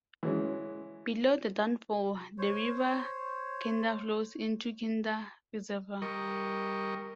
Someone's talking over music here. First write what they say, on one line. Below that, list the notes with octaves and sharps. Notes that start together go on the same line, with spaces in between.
Below the Downfall the River Kinder flows into Kinder Reservoir.
E3 F#3 G#3 C#4
C5 C#5
G3 A#4 D#5 C#6